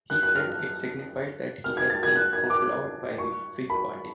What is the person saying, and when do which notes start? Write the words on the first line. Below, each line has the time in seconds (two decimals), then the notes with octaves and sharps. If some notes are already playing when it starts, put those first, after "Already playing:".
He said it signified that he had been "outlawed" by the Whig party.
0.10 F#6
0.23 F#6
0.36 F6
1.64 F6
1.77 G#6
1.90 A6
2.03 G#6
2.16 F#6
2.33 G#6
2.50 D6
3.18 C#6
3.70 B5